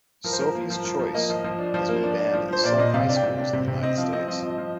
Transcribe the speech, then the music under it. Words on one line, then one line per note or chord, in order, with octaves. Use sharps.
"Sophie's Choice" has been banned in some high schools in the United States.
F3 A#4
C5
F3 A#4
A#3
F3
F3
F3
A#3 D#5
F3
F3
D4
F3
A#3
D4
D4
F3
F3 C5
A#2 D5
A#2 D#5
C3 F5
D4
G5
C3
D4
C3
C3
C4 D#5
F3 F5
C4 D#5
F3 D#5
F3
D#5
F3